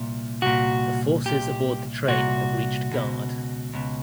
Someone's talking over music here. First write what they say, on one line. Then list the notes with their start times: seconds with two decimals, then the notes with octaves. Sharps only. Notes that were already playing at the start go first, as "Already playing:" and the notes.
The forces aboard the train have reached Gard.
Already playing: C2 A#2
0.42 C2 A#2 F#4
1.25 C2 A#2 G4
2.08 C2 A#2 F#4
2.91 C#2 B2
3.74 C#2 B2